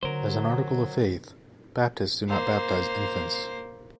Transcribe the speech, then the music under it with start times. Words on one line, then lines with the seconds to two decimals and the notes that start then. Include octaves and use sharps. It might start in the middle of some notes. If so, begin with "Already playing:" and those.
As an article of faith, Baptists do not baptize infants.
0.03 D3 F#3 A#4 C5
2.28 A#3 C5